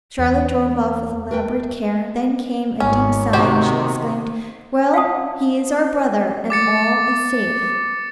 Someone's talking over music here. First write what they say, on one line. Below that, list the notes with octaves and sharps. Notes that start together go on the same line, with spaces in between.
Charlotte drove off with elaborate care,--then came a deep sigh, and she exclaimed, 'Well! he is our brother, and all is safe.'
E2
A#4 B4 G5
G#1 C#4
C3 D#3 F#4 G4 C5
F5 F#5 A5 D#6
D6 A6 C#7